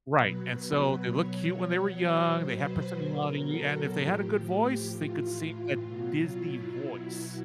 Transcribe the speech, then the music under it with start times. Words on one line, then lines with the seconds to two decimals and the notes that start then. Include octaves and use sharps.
Right, and, so, they looked cute when they were young, they had personality, and if they had a good voice, they could sing a Disney voice.
0.15 B2 F#3 B4
1.09 B2 F#3 C#5
2.05 B2 F#3 C5
2.52 B4
2.99 B2 F#3 A#4
3.48 A4
3.94 A2 F3 G4
4.90 A2 E3 F4
5.85 B2 F#3
6.33 E4
6.81 B2 F#3